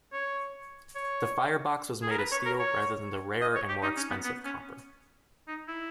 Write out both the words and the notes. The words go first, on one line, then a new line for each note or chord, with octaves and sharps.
The firebox was made of steel rather than the rarer and more expensive copper.
C#5
C#5
G#4
A#4
B4
C#5
A#4
C#5
D#5
C#5
G4
D#4
C#4
B3
B3
C#4
D#4
E4